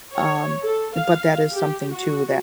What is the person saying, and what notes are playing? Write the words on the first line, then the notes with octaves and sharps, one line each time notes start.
um, uh, but that is something, too,
C#5
A4
F5
G4
F#4